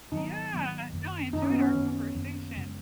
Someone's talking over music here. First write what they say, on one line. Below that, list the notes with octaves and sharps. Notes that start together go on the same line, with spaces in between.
Yeah, no, I enjoyed our conversation.
G#2 D#3 F#3 B3 D#4
G#2 D#3 F#3 B3
F#2 D#3 A#3
F#2 D#3 A#3 D#4
C#4
B3
C#4
F#2 D#3 A#3
F#2 D#3 A#3
F#2 C#3 G#3